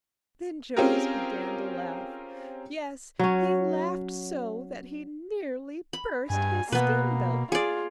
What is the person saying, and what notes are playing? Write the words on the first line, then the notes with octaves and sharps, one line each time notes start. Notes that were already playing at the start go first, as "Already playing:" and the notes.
Then Jonas began to laugh; yes, he laughed so that he nearly burst his skin belt.
C4 C#4 F4 G4 G#4 A#4
F#3 C#4
B5
G2 G#5
B2 A#3 B3 B4
F4 G#4 D5